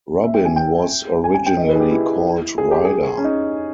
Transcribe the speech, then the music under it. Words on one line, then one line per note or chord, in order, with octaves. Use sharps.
Robin was originally called Ryder.
E5
G5
G#5
G5
G#5
G#5
G5
D#5
B4
G#4
G4
E4
G#4
G4
G#4
C#4
D#4